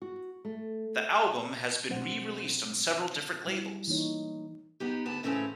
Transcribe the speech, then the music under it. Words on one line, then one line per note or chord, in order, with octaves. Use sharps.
The album has been re-released on several different labels.
F#4
A3
B2 F#3 C4 D4 C5 F#5
F#3 G3 E4
E3 A#3 D#4 C#5
B3 D#4 G4
D2 B3 A5
A2 C#3 E3 A3 C4 C#4